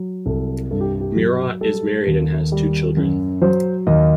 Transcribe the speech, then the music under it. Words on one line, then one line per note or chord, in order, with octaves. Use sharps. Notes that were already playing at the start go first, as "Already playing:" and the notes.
Murat is married and has two children.
Already playing: F#3
C2 A4
G2 A4
G4
G4
F#3
G3 A4
D#2
G3
F#2
F#3 C5
D#2 D#5